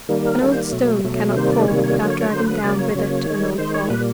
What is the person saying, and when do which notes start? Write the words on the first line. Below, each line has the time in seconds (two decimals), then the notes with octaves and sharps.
An old stone cannot fall without dragging down with it an old law.
0.09 D#3 G3 A#3
0.25 A#4
0.41 D#3 G3 A#3 A4
0.51 C5
0.72 B2 F#3 A3
1.04 B2 F#3 A3
1.36 C3 D#3 G3 A#3 C5
1.52 D5
1.68 C3 D#3 G3 A#3 C#5
1.84 C#5
2.00 D3 F#3 A#3 C#5
2.10 C#5
2.21 C#5
2.31 D3 F#3 A#3 C5
2.48 B4
2.63 C#3 F#3 A#3 D5
2.79 C#5
2.95 C#3 F#3 A#3
3.26 D#3 G#3
3.58 D#3 G#3 C5
3.74 C#5
3.90 A#2 G3 A#3 B4